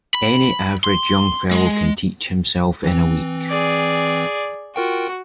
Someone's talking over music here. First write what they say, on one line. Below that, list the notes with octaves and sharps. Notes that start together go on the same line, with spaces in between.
Any average young fellow can teach himself in a week.
B5
C6
G#3
E3 C4
G#4 D5
F4 F#4 A#4 G5